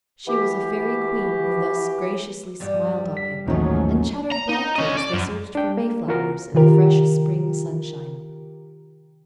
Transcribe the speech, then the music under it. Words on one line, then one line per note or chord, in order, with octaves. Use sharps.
She was a fairy queen who thus graciously smiled on him and chattered blithely as they searched for mayflowers in the fresh spring sunshine.
E3 B3 F#4 G4
E2 G2 G3
B6
A1 D#2 G#2 F3 F#3 A3 C#4 D#4
A#5
D#4
C#4 D#5
D5
F#2
D4 G5
A#3
E3 F4 F#4 A#4
C3 D#3 F4 G4 A#4